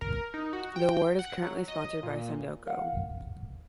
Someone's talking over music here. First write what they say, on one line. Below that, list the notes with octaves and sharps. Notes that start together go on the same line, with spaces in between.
The award is currently sponsored by Sunoco.
A#4
D#4
F#4
G5
F#5
F#3
D#5
A#2
A#4 F5 F#5